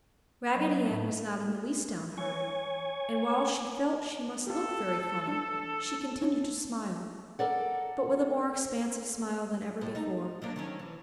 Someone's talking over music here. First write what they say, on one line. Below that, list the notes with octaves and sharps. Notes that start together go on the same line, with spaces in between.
Raggedy Ann was not in the least downhearted and while she felt she must look very funny she continued to smile, but with a more expansive smile than ever before.
F#3 D#5 C#6
A2
C#5 G#5
F4 G4 A4
D4
C#4
A4 A#4 D5 F#5
A2
D#4
F#3 A#3 D4
D#3 F#3 C#4
E3